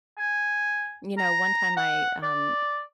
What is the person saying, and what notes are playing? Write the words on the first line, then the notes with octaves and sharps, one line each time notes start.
You know, one time I, um,
G#5
A#5
F#5
D5